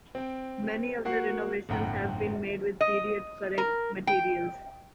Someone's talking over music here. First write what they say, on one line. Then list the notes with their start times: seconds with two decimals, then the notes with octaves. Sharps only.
Many of the renovations have been made with period correct materials.
0.15 C4 G5
1.05 A#3 F#4 F#5 C7
1.69 G1 F2 A2 F#5 G5 A#5
2.81 D#5
3.58 A#4
4.07 G5